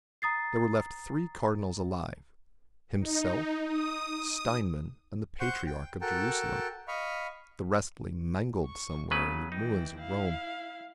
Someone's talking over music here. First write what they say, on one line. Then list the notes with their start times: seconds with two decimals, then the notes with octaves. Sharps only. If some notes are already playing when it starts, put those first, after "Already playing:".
There were left three Cardinals alive, Himself, Steinmann, and the Patriarch of Jerusalem; the rest lay mangled somewhere in the ruins of Rome.
0.22 A#5 D#6 A6 C7
3.00 D#4
3.64 D#6
5.40 C5 F#5 C#6 G6
5.67 G5
6.01 F#4 A4 A#4 G5 A5
6.88 D#5 F5 B5 C#6
8.66 C#6
9.11 C#3 F#3 B3 B4
9.52 E3 D#4 G5
9.99 E4 F5